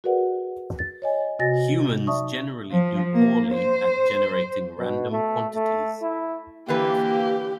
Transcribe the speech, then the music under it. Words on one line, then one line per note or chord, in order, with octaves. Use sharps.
Humans generally do poorly at generating random quantities.
F#4 G#4 A#4 B4 D5 F#5
A6
C#5 D#5 G#5
C3 F#4 D#5 G#5 A6 A#6
D#4 D5 E5 A5 C#6 D#6
F3
A#3
C5
B2
A3
A3
E4
D3 E3 A#3 G4 B4